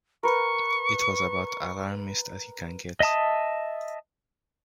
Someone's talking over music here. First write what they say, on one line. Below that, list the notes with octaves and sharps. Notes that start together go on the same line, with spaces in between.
It was about alarmist as you can get.
A#4 B4 C#6
D#5 E5 A5 D#6